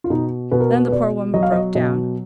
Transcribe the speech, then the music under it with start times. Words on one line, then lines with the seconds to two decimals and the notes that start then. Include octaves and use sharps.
Then the poor woman broke down.
0.04 F4
0.10 B2 D#4
0.51 B2 B4
0.60 A#4
0.70 B4
0.87 B4
0.92 B2 D5
1.34 F#3 D#5
1.43 F5
1.52 D#5
1.75 B2 D#5